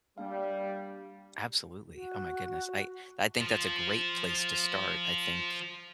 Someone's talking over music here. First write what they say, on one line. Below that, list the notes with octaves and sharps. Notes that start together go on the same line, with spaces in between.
Absolutely. Oh my goodness. I I think that's a great place to start. I think
G3 A#3 D4 F5
F#4
F3 F4